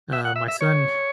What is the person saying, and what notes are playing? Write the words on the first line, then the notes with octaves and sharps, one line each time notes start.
uh, my son
E5
F#5
E5
E5
C#5